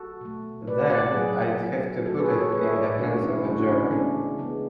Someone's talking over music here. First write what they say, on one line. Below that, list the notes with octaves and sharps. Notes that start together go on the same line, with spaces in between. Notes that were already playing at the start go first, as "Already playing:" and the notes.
Then I'd have to put it in the hands of a jury.
Already playing: F#4 A4
B2 A3
B2 A3 B4 D5
D5 F#5
D5 F#5
B2 F#3 B3 G#4 B4
B2 F#3 B3
E3 A3 F#4 A4
G#4 B4
A4 C#5
A4 C#5
E3 A3 G#4 B4
C#5 E5
B4 D5
C#3 E3 A3 D4 F#4
C#4 E4
C#3 E3 A3 D4 F#4
C#4 E4
D4
C#4
C#3 G#3 B3 D4
C#3 G#3 B3